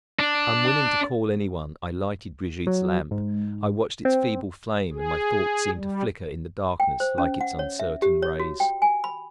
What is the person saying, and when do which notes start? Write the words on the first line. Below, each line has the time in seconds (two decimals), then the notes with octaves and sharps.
Unwilling to call any one, I lighted Brigitte's lamp; I watched its feeble flame and my thoughts seemed to flicker in the darkness like its uncertain rays.
0.19 D4
2.67 F#3
3.11 G#2
4.05 C4
4.93 G#4
5.75 G3
6.80 G5
7.00 C5
7.18 C#4
7.41 F#5
7.59 C#5
7.80 E5
8.02 G4
8.22 C#5
8.39 F#4
8.60 G5
8.82 G#5
9.04 B5